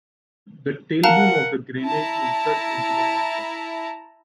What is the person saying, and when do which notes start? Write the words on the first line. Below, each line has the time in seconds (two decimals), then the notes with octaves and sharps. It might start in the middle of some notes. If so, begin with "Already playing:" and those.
The tailboom of the grenade inserts into the launcher.
1.03 A#4 F5 F#5 A5 A#5
1.84 E4 A5 A#5